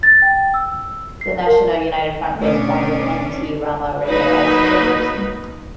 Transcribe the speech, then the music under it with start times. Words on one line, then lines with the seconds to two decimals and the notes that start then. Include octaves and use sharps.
The national united front was formed with N. T. Rama Rao as chairperson.
0.03 A6
0.22 G5
0.54 E6
1.21 C7
1.46 A#4
2.41 B2 D3 A3 B3 C#4 D4
4.06 F#3 A#3 D#4 B4